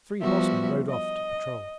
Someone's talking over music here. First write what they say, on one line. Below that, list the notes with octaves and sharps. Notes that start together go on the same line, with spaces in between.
Three horsemen rode off to patrol.
F3 G3 B3 F#4 E5
D#5